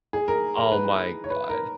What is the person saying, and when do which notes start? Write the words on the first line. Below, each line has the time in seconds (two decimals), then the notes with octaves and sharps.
Oh my god.
0.13 G#4
0.28 A#4
0.57 A#4
0.72 B4
1.24 C#5
1.30 B4
1.49 A#4